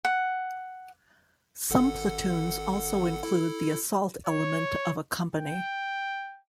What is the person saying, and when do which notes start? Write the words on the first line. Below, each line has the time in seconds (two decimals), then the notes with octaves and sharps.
Some platoons also include the assault element of a company.
0.05 F#5
1.70 G#1 A4 F#5
3.23 E4 A4
4.27 C#5
5.35 G5